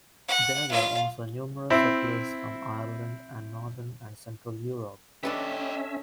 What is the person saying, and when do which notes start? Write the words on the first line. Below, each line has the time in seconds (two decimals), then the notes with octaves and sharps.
There were also numerous settlers from Ireland and Northern and Central Europe.
0.28 F#5
0.70 F4 F5
1.70 C4 E4
5.23 C#4 D4 G4 A4 B4 D#5 E5